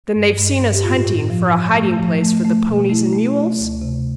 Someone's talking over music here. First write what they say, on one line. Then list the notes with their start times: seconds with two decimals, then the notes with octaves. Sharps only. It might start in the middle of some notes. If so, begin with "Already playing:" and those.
"Then they've seen us hunting for a hiding-place for the ponies and mules?"
0.15 G2
0.38 G2
0.61 G2
0.75 G4
0.84 A2 F4
1.07 A2
1.30 F3
1.53 F3
1.75 A3
1.99 F3
2.22 A3
2.45 A3
2.67 B2
2.90 A3 E4
3.13 A3
3.36 A3
3.59 D2
3.82 C3